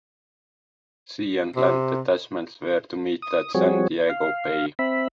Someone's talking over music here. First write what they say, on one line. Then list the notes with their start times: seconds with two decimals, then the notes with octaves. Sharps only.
Sea and land detachments were to meet at San Diego Bay.
1.56 C3
3.22 D#6
3.54 F3 G3 C4 F#4 G#4 C#5
4.09 F5
4.79 C4 E5 B5